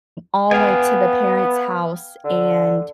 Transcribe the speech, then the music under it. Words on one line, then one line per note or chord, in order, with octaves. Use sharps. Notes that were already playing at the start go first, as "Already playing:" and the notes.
all went to the parents' house and,
B3 F5 G5 G#5
D3